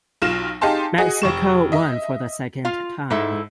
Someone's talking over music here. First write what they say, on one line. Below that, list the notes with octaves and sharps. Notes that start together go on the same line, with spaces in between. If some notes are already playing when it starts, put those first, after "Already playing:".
Mexico won for the second time.
B1 F4 F6 A#6 E7
D#4 G4 G#4 F5 A5 C6
F#4 G#4 D#5
F1 C#6 E7
D#5 E5
F4 F5
G#2 E4 A4 E5